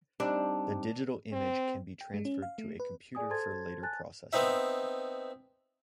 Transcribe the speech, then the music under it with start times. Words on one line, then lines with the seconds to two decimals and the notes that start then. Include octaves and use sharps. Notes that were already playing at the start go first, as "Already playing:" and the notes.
The digital image can be transferred to a computer for later processing.
0.20 G3 C4 D4 D#4
1.33 C4
2.01 G5
2.14 G#3
2.25 C#4
2.42 F5
2.58 A3
2.80 B4
3.15 G#4 D5 G#5 D#6
3.30 A4 C5 A5 C6 G#6 A6
3.83 G#5 A5 F#6 A6
4.33 B3 C4 D#4 E5